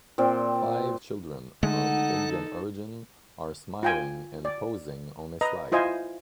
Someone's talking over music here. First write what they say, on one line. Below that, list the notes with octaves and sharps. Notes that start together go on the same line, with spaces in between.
Five children of Indian origin are smiling and posing on a slide.
A#2 C4 D5
D3 G#3 A3 D#4 A4 F#5
F4 G5 G#5
D5
B4 D#5 A#5
E4 F4 C5 D#5 G#5